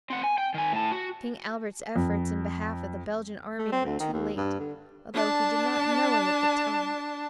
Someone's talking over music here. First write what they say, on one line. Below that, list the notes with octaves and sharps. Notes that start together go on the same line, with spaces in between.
King Albert's efforts in behalf of the Belgian army were too late, although he did not know it at the time.
C4 F#5
G#5
G5
D#3 G#5
A2 A5
F#4
F2
A3
C4
D2
D#3
D#2
G2
D3
D4 A5